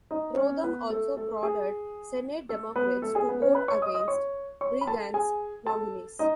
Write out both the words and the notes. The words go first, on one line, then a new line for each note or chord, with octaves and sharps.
Rodham also prodded Senate Democrats to vote against Reagan's nominees.
D#4 D#5
C#4 C#5
B3 B4
A3 A4
A3 A4
G#4
A3 A4
B3 B4
A3 A4
G#4 G#5
B3 B4
C#4 C#5
B4 B5
C#5 C#6
D#5 D#6
D#5 D#6
C#5 C#6
C#5 C#6
B5
A4 A5
G#4 G#5
A4 A5
D#4 D#5